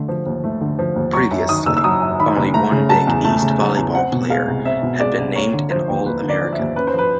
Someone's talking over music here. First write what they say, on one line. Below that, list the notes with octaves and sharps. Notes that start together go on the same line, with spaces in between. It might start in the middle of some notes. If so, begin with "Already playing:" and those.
Previously only one Big East volleyball player had been named an All-American.
Already playing: D3 A3
F3
D#2
A3
D3
F3
D#2
F#3 C#6
F#2
D#3 D#6
F#1 E6
E6
F#3 D#6
F#2
D#3 B5
F#1
A3 A#5
C#3
F#3 A5
E2
A3 A5
C#3
F#3
E2
C4 F#5
B2
G#3 F5
C2
C4 E5
B2
G#3 D5
C2
A#3 C#5
D3
F3 C5
D#2
A#3 B4
D3
D5
F3
E5
D#2
C#4 B4
C5
F3 B4